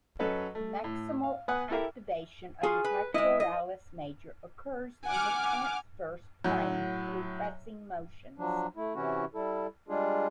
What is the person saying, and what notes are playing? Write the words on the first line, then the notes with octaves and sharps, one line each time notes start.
Maximal activation of the pectoralis major occurs in the transverse plane through pressing motions.
F#3 C#4 A4 B4 D#5
A3
A2
F5
B3 B4 F#5 G#5 D#6 F#6
E4 G4 A4 A#4 E5
F4 F#4 G#4 F5
B4
G#3 E4 D#5
D#5
F#5 G#5 D6 F6
A2 F#3
F3 F#3 D4
A3 E4
C3 E3 C#4 E4 F#4
G3 E4 A4
G3 G#3 D4 F4 G#4